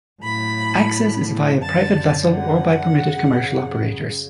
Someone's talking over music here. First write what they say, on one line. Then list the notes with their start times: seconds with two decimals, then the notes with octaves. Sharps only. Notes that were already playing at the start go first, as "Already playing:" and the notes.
Access is via private vessel or by permitted commercial operators.
0.21 A2 F#3 B5
1.61 F#2 D3 F#3 A5
2.31 F#5
3.00 F#2 C#3 F#3